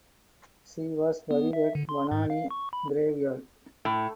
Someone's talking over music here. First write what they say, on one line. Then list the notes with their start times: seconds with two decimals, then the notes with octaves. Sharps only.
She was buried at Banani Graveyard.
1.31 B3
1.53 E5
1.75 D3
1.89 C6
2.11 G#2
2.30 F5
2.51 C#6
2.73 B5
3.85 A2